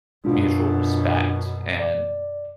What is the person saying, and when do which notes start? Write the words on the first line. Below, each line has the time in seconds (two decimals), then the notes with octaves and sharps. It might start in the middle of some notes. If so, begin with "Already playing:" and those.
mutual respect and
0.25 F#2 B2 D4 F4
1.80 D5